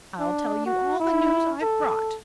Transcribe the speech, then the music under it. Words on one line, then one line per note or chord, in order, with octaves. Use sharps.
I'll tell you all the news I've brought.
D4
F#4
E4
A4